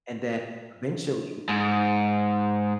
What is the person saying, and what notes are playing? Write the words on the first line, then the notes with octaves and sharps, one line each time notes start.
and then, eventually,
G#2